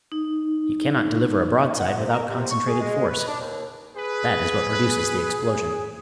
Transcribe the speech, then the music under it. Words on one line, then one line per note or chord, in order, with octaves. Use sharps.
You cannot deliver a broadside without concentrated force--that is what produces the explosion.
D#4
F#5
C3
A#4
C3
C#6
G#4
G#3
B4
D4
D#2
G#4 B4